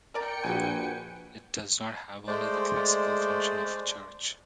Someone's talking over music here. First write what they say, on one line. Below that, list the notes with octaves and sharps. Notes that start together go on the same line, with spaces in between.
It does not have only the classical function of a church.
A#4 D5 G5 A#5 C#7
A#1 F#4 B4 G#5
G#3 A3 C5 D5